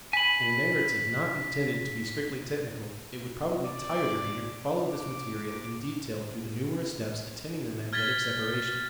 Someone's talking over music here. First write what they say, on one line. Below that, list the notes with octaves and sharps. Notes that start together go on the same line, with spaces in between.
In a narrative not intended to be strictly technical, it would probably tire the reader to follow this material in detail through the numerous steps attending the magnetic separation.
G#5 B5 B6
D5
D6
F6 G#6 A6 B6 G7